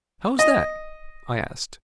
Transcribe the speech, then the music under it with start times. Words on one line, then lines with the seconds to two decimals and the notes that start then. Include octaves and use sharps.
"How is that?" I asked.
0.39 D#5